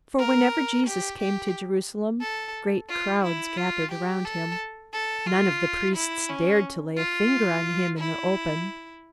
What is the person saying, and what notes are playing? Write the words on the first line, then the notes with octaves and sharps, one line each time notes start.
For whenever Jesus came to Jerusalem, great crowds gathered around him. None of the priests dared to lay a finger on him in the open.
A#4
G4
G4
A4
F4
E4
F4
G4
A4
A4
F4
E4
C#4
F4
E4